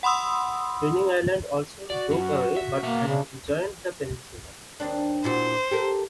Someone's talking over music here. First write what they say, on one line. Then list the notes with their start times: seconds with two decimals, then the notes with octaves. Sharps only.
Fenning Island also broke away but has rejoined the peninsula.
0.03 F#5 B5 C6 D#6 E6
1.90 F#4 D5
2.10 F#2 F#3
2.56 E5
2.83 B2 A#3 E5
3.08 C#3 D4
4.80 D#2 C4 D4
5.24 A#2 E4 F#4 C5
5.71 G4 A4 A#4